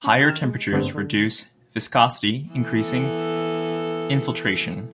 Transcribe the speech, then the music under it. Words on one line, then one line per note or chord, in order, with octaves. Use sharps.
Higher temperatures reduce viscosity, increasing infiltration.
C#4
D#3 F6 E7
G#3
G2 D3 A3 B3 C4
D3
E3 B3 A4